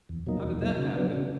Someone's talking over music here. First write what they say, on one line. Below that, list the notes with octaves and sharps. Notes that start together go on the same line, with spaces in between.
"How did that happen?"
E2
B2 F#3 A#3 D#4
E2
B2 F#3 A#3 D#4
C#3
F#3 B3 D4
C#3